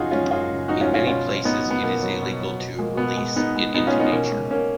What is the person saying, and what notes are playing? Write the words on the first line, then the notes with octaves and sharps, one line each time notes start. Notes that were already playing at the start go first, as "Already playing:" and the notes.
In many places it is illegal to release it into nature.
Already playing: F#2 C#3 F3 D#4 F4 F#4 G#4
G#3 C#4 F4
F#2 F4 G#4
C#3
F3 D#4 F#4
C#4 F4
G#3
C#4 F4
B2 C#4 F4
F#3
B2 B3 D#4
F#3
B3
B2 A#3
F#3
B2
F#3
B2
G#3 A#3
B2 B3
G#3
B2 B3 D#4
G#3
B2 B3 D#4
C#4 F4
G#3
B3 D#4
B2 A#3 C#4
G#3
B2 A#3 C#4